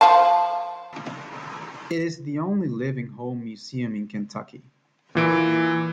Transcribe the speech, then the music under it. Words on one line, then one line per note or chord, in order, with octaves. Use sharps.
It is the only living home museum in Kentucky.
F3 F5 A5
A#2 E3 D7